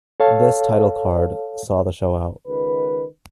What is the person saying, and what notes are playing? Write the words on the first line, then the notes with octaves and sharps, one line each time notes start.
This title card saw the show out.
A4 C#5 F5 A5
C#2 D#3 B4